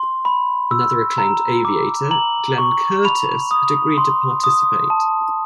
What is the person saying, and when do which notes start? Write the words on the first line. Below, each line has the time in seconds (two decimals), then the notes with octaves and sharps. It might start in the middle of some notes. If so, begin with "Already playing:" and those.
Another acclaimed aviator, Glenn Curtiss, had agreed to participate.
Already playing: C6
0.25 B5
0.71 E6
1.18 A#5
1.65 D6
2.11 A#5 F#7
2.58 C#6
3.05 B5 F7
3.51 D#6
3.98 C6
4.44 D#6
4.90 A5